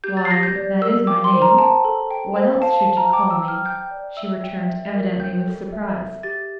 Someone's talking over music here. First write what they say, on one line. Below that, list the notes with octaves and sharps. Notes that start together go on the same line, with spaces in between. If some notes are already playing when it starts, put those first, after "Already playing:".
"Why, that is my name--what else should you call me?" she returned, evidently with surprise.
G4 G6
A6
C7
G4 A#6
G6
D5
A#4 E6
G5 D6
C6
C5
A#5
G5 A5
A4
G5
C5
F5 A5
A5
F5
A#5
G5 D6
E6
G5
F6
G5 G6
D5
E5 E6
G5
E5
A#4
G5 G6
A4
E5
E5
G4 A6